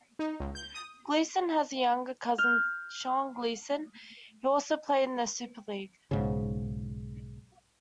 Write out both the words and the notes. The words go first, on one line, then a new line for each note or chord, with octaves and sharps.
Gleeson has a younger cousin, Sean Gleeson, who also played in the Super League.
D#4
C#2
G6
D#6
F6 G6
B1 G#2 C#3